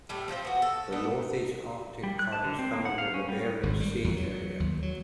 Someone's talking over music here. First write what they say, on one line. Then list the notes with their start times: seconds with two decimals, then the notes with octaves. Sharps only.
The Northeast Arctic cod is found in the Barents Sea area.
0.09 A2 G3 A3
0.28 F3 C4 F4 C5
0.45 B3 F#4
0.62 A4
0.92 A3 B3 D4 D#4
2.03 G3
2.19 F#6
2.33 A5
2.44 D3
2.59 C4
2.73 A#3
2.85 F#5
2.98 F5
3.14 C#4
3.29 G3
3.63 G#1
3.80 G3
4.04 E2
4.16 F#3
4.60 D#2
4.83 F#3